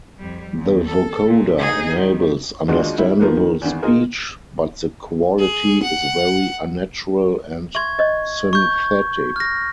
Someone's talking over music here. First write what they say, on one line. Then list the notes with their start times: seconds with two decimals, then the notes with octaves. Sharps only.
The vocoder enables understandable speech, but the quality is very unnatural and synthetic.
0.19 F2 G3
0.55 E2
0.86 A4
1.28 A#2
1.58 D#4 G#4
2.01 D#3 G3
2.68 D#2 G#3 D4 D#4 F4 F#4
2.98 D#3 G3 E4
3.19 D#3 F3 A#3 B3
3.37 D#3
3.61 G#1 E2
3.83 D#4 F4 G#4 A#4
5.39 G#4
5.82 F#5
7.75 E5 C6 C#6 G#6
7.99 C#5 D#5
8.53 C#6 G6
9.36 F6 A#6